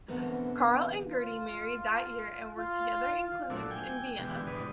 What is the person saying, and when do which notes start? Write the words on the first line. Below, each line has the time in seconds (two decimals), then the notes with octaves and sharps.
Carl and Gerty married that year and worked together in clinics in Vienna.
0.08 B2 D3 E3 B3 C4 A#4
1.10 F4
2.57 F4
3.50 A#2 F#3 A3 D4 E4
3.71 G5 G#5
4.19 B2 D3 E3 G#3 G4
4.47 E2 G#2 D3 B4 D#6